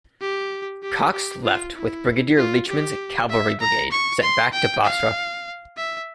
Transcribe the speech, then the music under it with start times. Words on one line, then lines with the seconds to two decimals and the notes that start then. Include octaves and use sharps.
Cox left with Brigadier Leachman's cavalry brigade sent back to Basra.
0.21 G4
0.83 G4
1.13 G4
1.44 F4
1.75 E4
2.37 F4
2.68 G4
3.30 E5
3.60 A#5
3.92 C#6
4.22 C6
4.53 G5
4.84 F5
5.77 E5